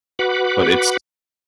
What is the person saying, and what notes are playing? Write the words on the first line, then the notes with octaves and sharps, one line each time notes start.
but it's
F#4 B4 F#5 B5 D6